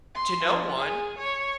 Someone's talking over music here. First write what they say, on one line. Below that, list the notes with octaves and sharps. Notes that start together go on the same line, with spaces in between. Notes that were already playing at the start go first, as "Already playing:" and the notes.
to no one
C6
F3
G#4
C#5